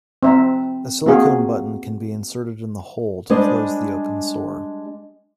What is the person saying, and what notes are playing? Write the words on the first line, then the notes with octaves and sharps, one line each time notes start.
A silicone button can be inserted in the hole to close the open sore.
C4 E5 A#5
A#3 C4 F#4 G#4 F5
G3 G#3 D4 C5 D#5